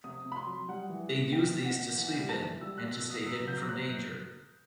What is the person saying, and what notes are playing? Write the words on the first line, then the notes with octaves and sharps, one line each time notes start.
They use these to sleep in and to stay hidden from danger.
C3 D#6
C3
B5
C6
F#3
G3 F#5
E3
C3
B2 G5
B2
F#5
B2
E3 F#5
G3
A5
E3
G3 E6
F#6
B2
E6
B2
D#6
F#3 E6
F#3 G6
F#3 F#6